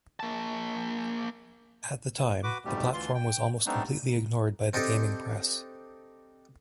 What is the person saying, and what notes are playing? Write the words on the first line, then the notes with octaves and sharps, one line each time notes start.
At the time, the platform was almost completely ignored by the gaming press.
A#3 A5
F#4 B4 D6
F2 G#2 B2 G3 A3 G4
D2 E3 F4 C6
G5
G3 A3 B3 C4 D4 D#4
C4 D4 D#4 G4 A4 C5